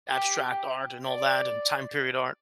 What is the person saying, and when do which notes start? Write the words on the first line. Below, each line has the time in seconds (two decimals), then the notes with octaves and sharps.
abstract art and all that and time period art.
0.09 G4
1.06 D5